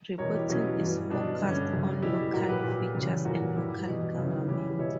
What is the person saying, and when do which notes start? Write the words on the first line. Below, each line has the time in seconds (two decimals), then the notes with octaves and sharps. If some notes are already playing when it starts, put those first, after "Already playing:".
Reporting is focused on local features and local government.
0.18 E2 B2 G3 A#4 C#5
0.34 E4 G4
0.49 B2 F#3 C#4 E4
0.80 G2 E3 G3
1.10 B2 F#3 D4
1.42 G2 D3 G3
1.49 C#4
1.56 D4
1.72 F#2 C#3 G3
2.02 B2 G3 E4 G4
2.33 A#2 F#3 F#4 A#4
2.49 G4 B4
2.64 A#2 F#3
2.95 E2 C#3 G3
3.25 A#2 F#3 F#4 A#4
3.56 G2 E3 G3 E4 G4
3.87 E2 B2 G3
4.18 F#2 C#3 E3
4.48 E2 C#3 E3 G3 E4 G4
4.79 B2 G3 C#5 E5